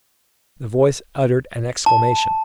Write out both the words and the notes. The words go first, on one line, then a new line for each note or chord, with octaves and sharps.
The voice uttered an exclamation.
A5